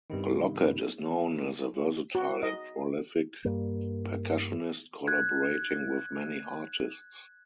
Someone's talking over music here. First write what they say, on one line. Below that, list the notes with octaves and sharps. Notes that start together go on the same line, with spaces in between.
Lockett is known as a versatile and prolific percussionist, collaborating with many artists.
G2 C3 D#3 B3 D#4 G4
F#4
D#5
G2 G3 A#3
F#6 G#6